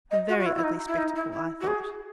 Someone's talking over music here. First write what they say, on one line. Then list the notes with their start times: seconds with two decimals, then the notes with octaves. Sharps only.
A very ugly spectacle, I thought.
0.11 D#5
0.29 F#4
0.40 F#4
0.46 E4
0.56 E4
0.64 D#4
0.88 E4
0.98 D#4
1.16 E4
1.33 E4
1.61 F#4
1.67 G#4